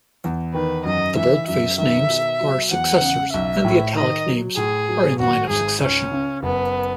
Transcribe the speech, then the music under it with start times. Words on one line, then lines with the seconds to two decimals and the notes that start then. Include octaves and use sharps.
The boldface names are successors, and the italic names are in line of succession.
0.24 E2
0.54 D#3 B4
0.85 F#2 D#5
1.16 E3 E5
1.47 F#2 E5
1.78 D#3 E5
2.09 B2
2.41 F#3
2.71 E2 F#5
3.02 C#3
3.33 B1 E5
3.65 A2
3.95 D#3 D#5
4.26 F#3
4.57 A2 G#4
4.89 F#3
5.19 G#1 F#4
5.50 G#2 G#4
5.81 C#2 C#4
6.12 C#3
6.43 F#1 B3